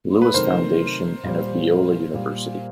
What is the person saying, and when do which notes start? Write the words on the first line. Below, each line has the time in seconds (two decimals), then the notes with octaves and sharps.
Lewis Foundation and of Biola University.
0.22 B4
0.34 C3 D#3 F#3 A3 A#4 C5
1.23 A#2 G3
2.14 A#2 G3